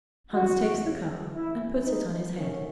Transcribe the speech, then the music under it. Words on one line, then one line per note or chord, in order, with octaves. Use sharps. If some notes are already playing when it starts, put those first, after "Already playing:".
Hans takes the calf, and puts it on his head.
E2 C#3 G#3 F#4
A1 A2 E3 E4
D#4
G#2 D#3 F#3 A3 C#4